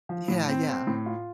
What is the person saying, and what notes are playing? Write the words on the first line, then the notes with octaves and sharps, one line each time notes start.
Yeah, yeah.
F3
A2
C4
C4
A2
F4